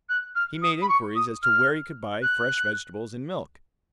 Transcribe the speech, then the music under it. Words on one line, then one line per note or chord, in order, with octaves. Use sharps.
He made inquiries as to where he could buy fresh vegetables and milk.
F#6
F6
D#6
B5
C#6
D#6
F6
F#6